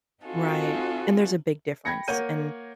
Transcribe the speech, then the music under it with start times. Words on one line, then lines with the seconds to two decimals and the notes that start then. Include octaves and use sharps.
Right, and there's a big difference, and
0.23 C4 D#4 F4 F#4 A4 G#5
1.85 G5 B5 G#6 A#6 C#7
2.08 A#3 C#5 F#5 G6 D#7